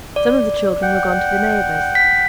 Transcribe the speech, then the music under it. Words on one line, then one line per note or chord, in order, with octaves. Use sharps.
Some of the children were gone to the neighbours.
D5
F#5 G5
B6